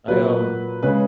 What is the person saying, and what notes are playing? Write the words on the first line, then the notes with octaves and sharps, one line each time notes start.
I, um
A#2 F#3 A#3 B4
C#3 G#3 C#4 B4